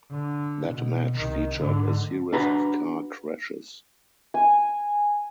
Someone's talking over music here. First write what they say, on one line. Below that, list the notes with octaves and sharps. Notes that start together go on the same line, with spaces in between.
That match featured "a series of car crashes".
D3
B2
C2 D#3
G#2 D3
D4 F#4 B4 A#5
G#5